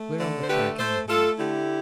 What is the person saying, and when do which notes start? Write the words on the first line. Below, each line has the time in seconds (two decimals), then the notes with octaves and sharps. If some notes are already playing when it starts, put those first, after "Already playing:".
We're on the track anyhow.
Already playing: A3
0.19 D3
0.42 C5
0.48 A3 G4 B4
0.78 A3 A4 C5
1.08 A3 F4 A4
1.38 D3 E4 G4